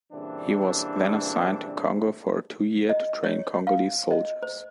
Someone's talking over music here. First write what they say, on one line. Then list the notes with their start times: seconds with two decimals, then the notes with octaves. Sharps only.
He was then assigned to Congo for a two-year to train Congolese soldiers.
0.13 G2 A#2 C#3 E3 C4 D4
2.89 D#5
3.24 C#5
3.67 F5
4.11 D#5
4.43 C5